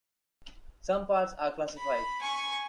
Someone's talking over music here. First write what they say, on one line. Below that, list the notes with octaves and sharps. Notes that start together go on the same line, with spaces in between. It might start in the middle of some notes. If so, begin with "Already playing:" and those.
Some parts are classified.
B5
G#5 C#6